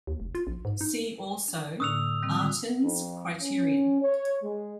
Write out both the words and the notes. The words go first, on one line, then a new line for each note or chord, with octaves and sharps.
See also: Artin's criterion.
D#2
F1
F4
A#1
G#2
D#4
D4
A2 D3 A#3 D#6 E6 F7
D#3 G3 C4
D3 G#3 F4
F2
C#4
C#5
G#3